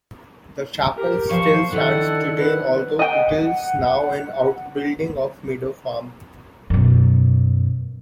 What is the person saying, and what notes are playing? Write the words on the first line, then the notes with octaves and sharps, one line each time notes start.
The chapel still stands today although it is now an outbuilding of Meadow Farm.
G4 A#4
E2 F3 C5 F5 C#6
D#3 D4 E4 A4 F#5
B4
D#5 F#5 G5
F#2 B2